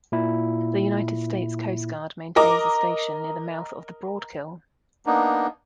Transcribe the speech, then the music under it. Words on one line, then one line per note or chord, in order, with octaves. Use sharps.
The United States Coast Guard maintains a station near the mouth of the Broadkill.
A#2 E4
A#4 D#5 A#5 D6
A#3 B3 D4 D#4